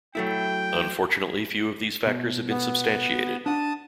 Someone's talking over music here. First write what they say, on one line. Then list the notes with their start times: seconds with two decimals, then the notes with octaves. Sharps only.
Unfortunately few of these factors have been substantiated.
0.15 F#3 A3 E4 G5
2.06 B2
2.50 B3
3.46 D4 F#5 A5 D#6